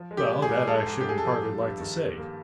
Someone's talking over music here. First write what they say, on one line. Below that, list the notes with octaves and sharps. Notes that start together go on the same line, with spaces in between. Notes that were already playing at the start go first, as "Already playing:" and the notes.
'Well, that I shouldn't hardly like to say.
Already playing: F3
G#3
G4
G#3
G#4
G#2
G#3 A4
G#2
G4
G#2 G#4
A4
F3
G3
G2
D#3
G3
A#3